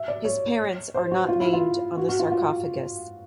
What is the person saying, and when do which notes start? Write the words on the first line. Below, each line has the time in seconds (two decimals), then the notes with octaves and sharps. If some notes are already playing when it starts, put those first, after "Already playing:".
His parents are not named on the sarcophagus.
Already playing: E5
0.08 D5
0.25 C#5
0.94 C5
1.11 F#4
1.28 F4
1.40 E4
1.53 F4
1.97 F#4
2.09 F#4
2.19 F4
2.31 F4